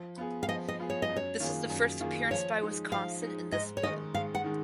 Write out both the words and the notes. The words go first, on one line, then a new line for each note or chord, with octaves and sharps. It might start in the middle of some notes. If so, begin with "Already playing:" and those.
This was the first appearance by Wisconsin in this bowl.
Already playing: F3
B3 F4 G#4
F5
F3 D#5
D#5
B3 F4 G#4
C#5
D#5
F#2
C#5
D#3 A#3 F4 G#4
F#2
D#3 A#3 F4 G#4
F3 C#5
G#3 D#4
F3 F5
G#3 D#4
G#2 D#5
C#5
D#3 G#3 D#4 D#5
G#2 F5
F#5
D#3 G#3 D#4